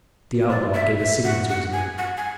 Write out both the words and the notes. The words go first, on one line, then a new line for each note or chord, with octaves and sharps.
The outlaw gave a signal to his men.
D5
E5
E5
F#5
F#5
G#5
F#5
G#5